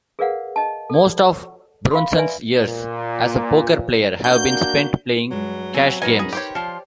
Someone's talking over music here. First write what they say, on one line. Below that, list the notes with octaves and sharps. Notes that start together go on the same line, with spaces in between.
Most of Brunson's years as a poker player have been spent playing cash games.
G#4 A#4 B4 D5 F5 F#5
D#5 A5
A4 D5
F5 B5 C6
B4 D5 E5 G#5
A#2
A#3 D4 F#4 G6
G2 F#3 G#3
B3 C4 G#5
E3 D#4 A#4 B4 G#5
C#4 G#4
G4 C5 C#5 G5
F3 F4 D5